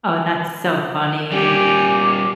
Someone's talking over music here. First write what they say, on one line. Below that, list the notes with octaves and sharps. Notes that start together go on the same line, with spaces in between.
Oh, that's so funny.
G3 C#4 G4 G#5 D6